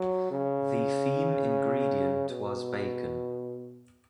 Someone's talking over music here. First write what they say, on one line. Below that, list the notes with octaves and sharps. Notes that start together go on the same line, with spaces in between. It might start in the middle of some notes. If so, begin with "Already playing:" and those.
The theme ingredient was bacon.
Already playing: F#3
C#3
B2